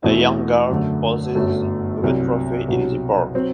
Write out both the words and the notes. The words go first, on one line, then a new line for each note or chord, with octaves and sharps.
A young girl poses with a trophy in the park.
E2 B2 A3 C4 E4
F#2 D3 A3
G1 F#2 F#3 A3
C2 C3 F#3
C2 B2 F#3
F#3 C4